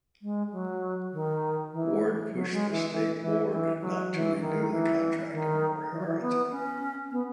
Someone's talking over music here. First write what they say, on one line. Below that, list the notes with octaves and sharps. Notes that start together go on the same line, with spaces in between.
Ward pushed the state board not to renew the contract of Moriarty.
G#3
F#3
D#3
E3
F#3
G#3
E3
E3
E3
E3
F#3
E3
D#3
E3
D#3
E3
F#3
E3
B3
C#4
B3